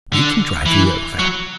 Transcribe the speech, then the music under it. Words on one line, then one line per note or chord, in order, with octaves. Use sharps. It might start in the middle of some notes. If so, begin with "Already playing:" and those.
We can drive you over.
D3
E3
F#3